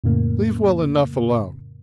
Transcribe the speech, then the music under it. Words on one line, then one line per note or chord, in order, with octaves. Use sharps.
Leave well enough alone.
F2 A2 C#3 A#3